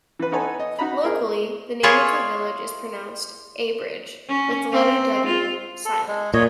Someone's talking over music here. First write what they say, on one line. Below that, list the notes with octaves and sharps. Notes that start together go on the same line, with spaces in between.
Locally, the name of the village is pronounced 'A-bridge', with the letter 'w' silent.
E3 B4
B3 D#4 A4 B4 C#5 G#5
D#5
D#4 F#4 D#5 A#5 B5
C4 G#4 A#4 D#5
E4 F4 G#4 C#5
C#4
C4
F4
A4
G#3
A#2 C#5 D#5